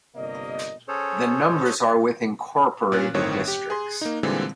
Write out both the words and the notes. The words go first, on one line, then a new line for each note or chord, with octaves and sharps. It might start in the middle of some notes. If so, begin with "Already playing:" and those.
The numbers are with the incoorporated districts.
G1 C3 A#3 A#4 D5 D#5
C#4 G#4 A4 C5 C#5
A#2 C#4 F#6
G1 A2 D#3 C4 C#5
G4
G#4 C6
A#3 D#4
A#2 D3 E3 G3 G#3 C4